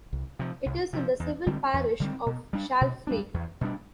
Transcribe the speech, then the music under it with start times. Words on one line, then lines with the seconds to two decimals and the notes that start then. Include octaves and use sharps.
It is in the civil parish of Shalfleet.
0.13 C2
0.39 C3 F3
0.66 C2
0.93 C3 F3
1.20 E2
1.47 D3 G3 C4
1.74 E2
2.00 D3 G3 C4
2.26 B2
2.53 G3 D4
2.81 B2
3.07 G3 D4
3.34 E2
3.61 B2 G3 D4